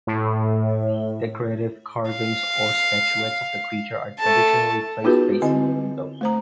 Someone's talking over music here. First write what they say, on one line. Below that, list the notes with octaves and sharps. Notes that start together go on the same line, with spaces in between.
Decorative carvings or statuettes of the creature are traditionally placed facing the window.
A2
F5
A3 A5
B3 D#4 F4 F#4 G#4 B4
D3 C4 E4 D#5
A3 C5 A#5